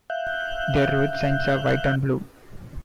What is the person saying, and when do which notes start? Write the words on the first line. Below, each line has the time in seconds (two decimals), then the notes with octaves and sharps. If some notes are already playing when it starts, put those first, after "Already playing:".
Their road signs are white on blue.
0.10 E5 F5 F#6 G6